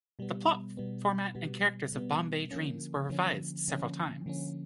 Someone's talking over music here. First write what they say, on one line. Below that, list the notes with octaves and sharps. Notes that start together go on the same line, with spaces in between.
The plot, format and characters of "Bombay Dreams" were revised several times.
B2 G3 B3
B2 G3 B3
B2 G3 B3
B2 G3 B3
D3 F3 A#3 C#4
D3 F3 A#3 C#4
D3 F3 A#3 C#4
D3 F3 A#3 C#4